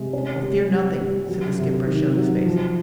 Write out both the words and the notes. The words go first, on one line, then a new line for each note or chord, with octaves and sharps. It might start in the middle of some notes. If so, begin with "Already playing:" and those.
"Oh, fear nothing," said the skipper, showing his face.
Already playing: C3 G#3
C#4
G3
G3
G3
F#3
C3
D#3
F#3
F3